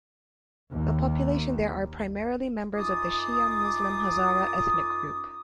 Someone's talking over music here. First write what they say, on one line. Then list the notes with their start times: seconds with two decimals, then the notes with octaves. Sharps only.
The population there are primarily members of the Shia Muslim Hazara ethnic group.
0.71 D#2
2.73 F#2 D#4 F4 D6 D#6